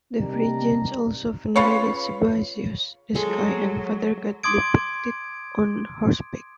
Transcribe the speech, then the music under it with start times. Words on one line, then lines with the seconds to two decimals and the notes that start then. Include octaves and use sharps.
The Phrygians also venerated Sabazios, the sky and father-god depicted on horseback.
0.18 C3 D#3 G3 D4 A#5
1.56 C#3 F4 B4 C#5
3.15 F#3 G#3 A4
4.43 C6 D6 D#6 G#6 D7